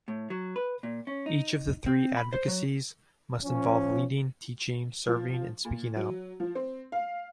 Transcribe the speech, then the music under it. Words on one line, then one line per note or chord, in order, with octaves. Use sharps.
Each of the three Advocacies must involve leading, teaching, serving, and speaking out.
A2
F#3
B4
A#2
C#4
D#4
C4
B5
C5
F#3
F3 C#4
F3
A#2
F#3
F3
C4
F5